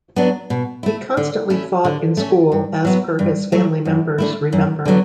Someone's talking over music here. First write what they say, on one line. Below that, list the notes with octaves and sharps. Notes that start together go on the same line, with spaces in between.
He constantly fought in school as per his family members remember.
F#3 B3 D4
B2
A3 E4
D3
A3 C#4 E4
D3
A3 C#4
G2
F#3 B3 E4
G2
F#3 A3
F#2
D3 A3 E4
F#2
D3 F#3 B3